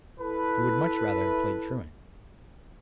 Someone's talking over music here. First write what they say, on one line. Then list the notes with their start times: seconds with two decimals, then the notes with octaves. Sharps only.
He would much rather have played truant.
0.19 E4 A4 B4